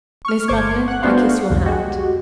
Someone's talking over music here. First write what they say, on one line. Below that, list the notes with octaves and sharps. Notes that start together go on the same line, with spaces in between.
Miss Madeline, I kiss your hand.'
C#6 F6
G1 C5 C#6 D6 G#6
F#5 F#6
A3 B3 D4 F#4 C5 F5
C2 F2 D3
G#3 F#4 G4